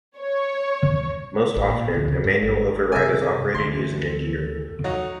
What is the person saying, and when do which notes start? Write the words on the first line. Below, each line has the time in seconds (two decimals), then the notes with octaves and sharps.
Most often, a manual override is operated using a gear.
0.18 C#5
1.57 A1
1.70 A#2
1.94 D2
2.08 C#3
2.24 G2
2.42 G#1
2.92 G2 C3 G#4 E5 G#5
3.54 D2 E3 C6
4.06 A4
4.84 F#3 D#4 F#4